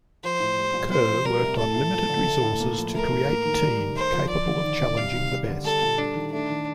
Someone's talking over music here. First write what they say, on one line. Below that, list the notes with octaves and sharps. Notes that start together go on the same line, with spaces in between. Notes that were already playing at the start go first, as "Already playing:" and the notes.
Kerr worked on limited resources to create team capable of challenging the best.
F3 C5
A2
G3
A#2
C4 C5
F3
G3 A#4
C3
A3 A4
A2
F3
D3
A3
A2
A#3
F3
A3 A#4
A2
A#3
D#3
G3
D#3
A3 C5
F3
F3 D5
D3
D#3
C3
G3 F5
D#3
G3
D3
G3 A4
A#2
G3 D4
D#3
A3 D4
D#3